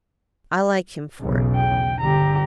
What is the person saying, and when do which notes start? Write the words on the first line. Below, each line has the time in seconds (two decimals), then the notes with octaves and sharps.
I like him for it.'
1.19 B1 E2 C#3
1.55 G5
2.00 G1 D3 G4 A#5